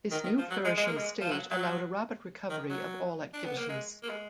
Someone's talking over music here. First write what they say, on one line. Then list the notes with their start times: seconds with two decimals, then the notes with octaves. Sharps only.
This new flourishing state allowed a rapid recovery of all activities.
0.11 D#3
0.24 D#3
0.38 F3
0.50 F#3
0.64 G#3
0.77 G#3
0.87 A#3
0.97 G#3
1.21 F3
1.31 F#3
1.50 F#3
2.50 D#3
2.69 F#3
3.33 D4
3.45 B3
3.57 A#3
3.69 G#3
4.02 A#3
4.09 G#3